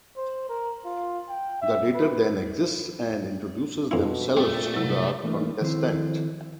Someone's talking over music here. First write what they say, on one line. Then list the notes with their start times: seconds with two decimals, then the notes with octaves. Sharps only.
The dater then exits and introduces themselves to the contestant.
0.17 C5
0.49 A#4
0.85 F4
1.29 G5
1.61 E5
1.94 B4
3.91 F2 B2 E4
4.37 A#2 A3 C4
4.74 C3 F#3
5.23 E3 A3 A#3 D4 E4
5.61 D#3 F3 C4 E4 A4 C5